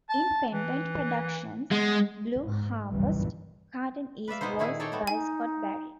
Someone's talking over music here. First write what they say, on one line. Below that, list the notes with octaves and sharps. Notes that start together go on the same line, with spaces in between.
In Pendant Productions' "Blue Harvest", Katarn is voiced by Scott Barry.
A5
E3
G#3 B3
G#2
F#1 C2 G2 A#2 E3 G3
B4 D5 E5 F5
B2 G#3 B3 D#4 C5
A#2 D#3 E4 G#4
D#4 A4 C#5 D5 G5 A#5
A3 B3 C4
D#4 G#5